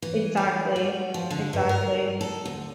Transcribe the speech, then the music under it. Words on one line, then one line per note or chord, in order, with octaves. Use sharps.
exactly, exactly.
E3
F#3
F#4
F3
D3
G2
A#4
A4
D2